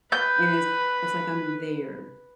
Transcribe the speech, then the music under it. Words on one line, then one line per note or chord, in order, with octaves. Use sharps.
and it's it's like I'm there
B4 G6